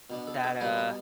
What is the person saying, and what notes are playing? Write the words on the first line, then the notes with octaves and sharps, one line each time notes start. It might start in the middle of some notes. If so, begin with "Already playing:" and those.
that, uh
B2 B3 D4
A4
A4
B2 G3 B3 C5
B4